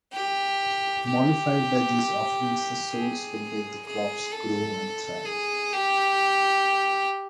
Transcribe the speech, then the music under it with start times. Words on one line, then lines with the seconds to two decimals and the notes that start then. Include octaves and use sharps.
Mollified by these offerings, the souls will make the crops grow and thrive.
0.13 G4
1.07 G4
2.93 G#4
3.86 G#4
4.32 A4
5.25 G#4
5.73 G4